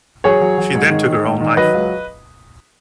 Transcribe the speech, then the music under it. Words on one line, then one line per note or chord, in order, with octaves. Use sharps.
She then took her own life.
F#3 G#4 C#5
F#3
F#3
G#2
D#3
D#3
G#2
D#3
F#3 B4 D#5
C#2